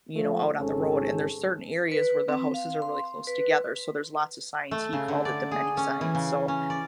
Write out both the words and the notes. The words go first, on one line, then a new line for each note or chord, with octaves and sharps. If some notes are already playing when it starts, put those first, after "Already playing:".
you know, out on the road. And there's certain areas where the houses are really close together, so there's lots of signs, he called it The Many Signs, so
F3 A3
G#1 G#2 C#3 C#4 A4
B4
C4
F5
C6
B4
A3
C#3
D3
D5
G#4
C#4
E3
C#3
C#4
D5